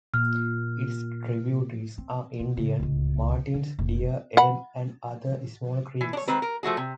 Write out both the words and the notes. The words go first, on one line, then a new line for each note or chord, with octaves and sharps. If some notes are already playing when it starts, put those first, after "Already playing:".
Its tributaries are Indian, Martin's, Deer, Elm, and other small creeks.
A#2 F6
C4
F4
C#3
D1 C#2
D3
F1 F#2
F#5 B5
E3
D4 C#5
D#3 G#3 C4 B4
A#4
F3 A3 F#4 G#4
C3